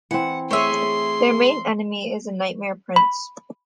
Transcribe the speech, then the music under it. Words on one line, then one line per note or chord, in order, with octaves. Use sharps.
Their main enemy is the Nightmare Prince.
E3 C4 F#5
A3 G#4 C#5 E5 C6 C#6
B5